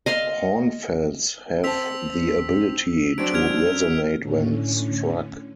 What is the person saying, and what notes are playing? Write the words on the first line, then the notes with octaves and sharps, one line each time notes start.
Hornfels have the ability to resonate when struck.
D#5 F5 C6
C4 A5 E6 B6 F7
F#3 C4 D4 D7
F6 G#6 F7
A2 D3 C#4